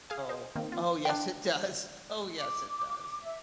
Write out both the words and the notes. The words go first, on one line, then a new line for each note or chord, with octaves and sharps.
"Oh, oh yes it does. Oh yes, it does."
G#4 F5 G#5
C5 D#5
D#3 A#3 C4
F4
D4 G5
D6
E5